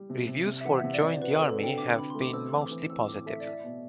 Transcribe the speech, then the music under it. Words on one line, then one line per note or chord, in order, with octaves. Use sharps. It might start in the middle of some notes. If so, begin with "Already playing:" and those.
Reviews for "Join the Army" have been mostly positive.
Already playing: G3
C3
C3
C3
E5
E3 F#5
C3 E5
D5
C3 C5
F#4 B4
F#4 A4
A4
D3 G5
D3 D6
D3 B5
A3 C6
D6
C4 E6
E3
D6
E3
C4 E6
A2 D6
A3 E5
D5
E4 E5
B2